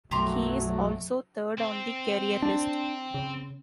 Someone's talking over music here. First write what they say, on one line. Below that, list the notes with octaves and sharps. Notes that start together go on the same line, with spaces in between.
He is also third on the career list.
B1 F#2 B2 F#3 A3 G4 A#5 C6
C4
D4
C#3